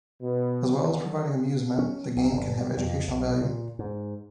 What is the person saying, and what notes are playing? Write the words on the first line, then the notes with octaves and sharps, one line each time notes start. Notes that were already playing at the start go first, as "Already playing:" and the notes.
As well as providing amusement, the game can have educational value.
B2
D3
C#4
B1
G1
G3
F2
B1
A#2
G#2